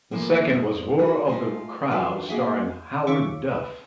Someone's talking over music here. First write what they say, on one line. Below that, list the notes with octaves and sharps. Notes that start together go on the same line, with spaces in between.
The second was Roar of the Crowd, starring Howard Duff.
C3 E3 F3 A3 A#3
G2 D#5
D#4 F#4 A#4 B4
G#3 A3 E4 F4
E3 D4 F4 F#4 A4 B4
A#3 F#4 G#4 D#5 E5 G#5
D#3 C#4 F4 E5 C#6 D6
B4